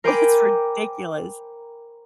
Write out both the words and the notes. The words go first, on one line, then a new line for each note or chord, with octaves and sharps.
It's ridiculous.
A#4 C5 G5 G#5 B5 D6